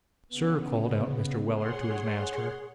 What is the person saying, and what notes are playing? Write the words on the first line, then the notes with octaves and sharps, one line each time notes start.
'Sir,' called out Mr. Weller to his master.
C#3 B3
G#4 C#5 F#5 C6